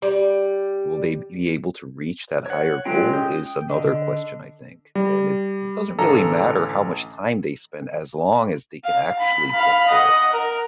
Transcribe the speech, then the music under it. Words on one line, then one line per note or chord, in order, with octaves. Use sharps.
will they be able to reach that higher goal is another question, I think, and it it doesn't really matter how much time they spend as long as they can actually get there.
G3
C#5 F#5
F#3 G#3 C#4 F4 G5
G5 D#6
D3 D#5
G3
A1 D3 A4 A#5
F5
B5
F5 B5
D#5 F#5
A#4